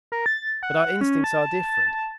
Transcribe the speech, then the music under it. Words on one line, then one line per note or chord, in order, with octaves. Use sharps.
But our instincts are different.
A#4
A6
F#5
C#4
A5